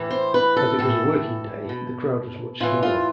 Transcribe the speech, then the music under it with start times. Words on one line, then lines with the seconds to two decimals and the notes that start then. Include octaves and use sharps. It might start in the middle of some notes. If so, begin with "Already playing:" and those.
As it was a working day, the crowd was much smaller.
Already playing: A2 E3
0.10 C5
0.34 B4
0.56 A4
0.79 A2 E3 A4
1.69 B2
2.60 A2 E3 F4
2.83 F4